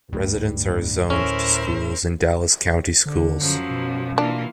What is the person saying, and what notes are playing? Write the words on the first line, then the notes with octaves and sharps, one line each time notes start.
Residents are zoned to schools in Dallas County Schools.
D1 G2 A3
A2 C#4 E4 A#4 C5
D3
F#2 F3 F#3
B2
E3 A#3 D4 F4